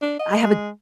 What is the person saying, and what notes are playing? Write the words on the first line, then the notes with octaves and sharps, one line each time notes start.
I have a
D4
D#5
G#3